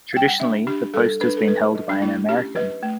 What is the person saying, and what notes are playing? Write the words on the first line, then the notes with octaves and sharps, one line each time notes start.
Traditionally, the post has been held by an American.
G3 G5
F#5
D4 E5
D4 G4
G3 A4
D4 B4
A4
F#3 B4
F#3
D4
A3 E4
C#4 G4
F#3 B4
A3